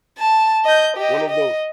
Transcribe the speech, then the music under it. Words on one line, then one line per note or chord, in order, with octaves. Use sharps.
One of the
A5
D#5 G6
G4 D#5
D#5